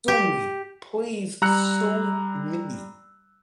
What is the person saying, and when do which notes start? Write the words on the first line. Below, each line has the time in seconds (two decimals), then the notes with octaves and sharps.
"Sue me, please sue me
0.08 G4
1.42 G3 A#5 E6 F#6 C#7